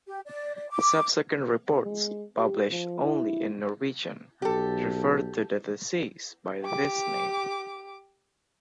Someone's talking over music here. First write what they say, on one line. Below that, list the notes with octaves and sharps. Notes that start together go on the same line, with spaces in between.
Subsequent reports, published only in Norwegian, referred to the disease by this name.
G4
D5
D5
D6
G#3
G4
F3
E4
B1 G4 A4
G4 D6